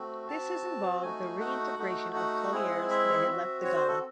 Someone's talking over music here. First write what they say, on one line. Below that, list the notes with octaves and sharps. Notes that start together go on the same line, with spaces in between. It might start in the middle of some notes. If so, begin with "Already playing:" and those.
This has involved the reintegration of collieries that had left the Gala.
Already playing: A3 C4 F#4
C4 F#4 A5
A3 D#4 F#4 G#5
F#5
A3 D#4 F#4
F#5
G#3 C4 E4 G#4
E5
C4 F#4
C#5
C5
A4